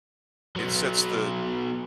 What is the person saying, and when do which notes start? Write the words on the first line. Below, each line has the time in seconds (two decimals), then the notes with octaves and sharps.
it sets the
0.56 F#3 B3